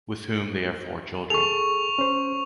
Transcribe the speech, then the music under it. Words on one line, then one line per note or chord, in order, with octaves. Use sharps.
With whom they have four children.
G#4 A4 C#6 F7
C#4 C5